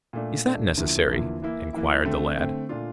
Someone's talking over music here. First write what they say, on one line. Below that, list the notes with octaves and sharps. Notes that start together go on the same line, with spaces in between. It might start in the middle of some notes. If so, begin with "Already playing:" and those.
"Is that necessary?" inquired the lad.
A#2 A3 D4
A#2 A3 D4
E2 D3 F3 A#3 E4
E2 D3 F3 A#3 E4
E3 A#3 E4
E3 A#3 E4
D3 A3 C4
D3 A3 C4
A#2 A3 D4 F4